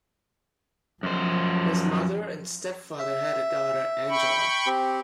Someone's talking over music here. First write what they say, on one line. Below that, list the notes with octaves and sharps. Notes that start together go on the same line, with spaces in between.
His mother and stepfather had a daughter, Angela.
F#2 F3 C5
E5
G5 B5 C#6
C4 G4